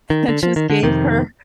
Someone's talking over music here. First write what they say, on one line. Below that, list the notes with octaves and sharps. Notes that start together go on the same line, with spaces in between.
and just gave her
D#3
D3
F3
D#3
D3
F2 C3 D#3